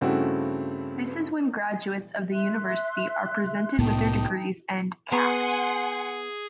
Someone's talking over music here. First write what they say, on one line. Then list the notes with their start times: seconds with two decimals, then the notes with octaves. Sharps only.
This is when graduates of the university are presented with their degrees and "capped".
0.01 G2 C#3 A3 C4 E4 F#4
2.32 E5 C6 F#6
3.78 C2 A2 B3 D#4 G5 A5
5.12 B3 G#4 F#5 G#5 C6